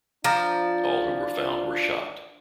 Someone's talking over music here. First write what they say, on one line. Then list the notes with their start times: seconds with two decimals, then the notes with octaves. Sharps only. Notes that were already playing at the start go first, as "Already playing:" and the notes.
All who were found were shot.
0.24 F3 D4 D5 A#5